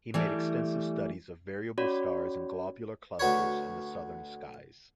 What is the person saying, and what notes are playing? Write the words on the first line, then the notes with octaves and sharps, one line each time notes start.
He made extensive studies of variable stars in globular clusters in the southern skies.
E3 G3 A3
C#4 F#4 C#5 D5 B5
D2 F#4 B4 C#5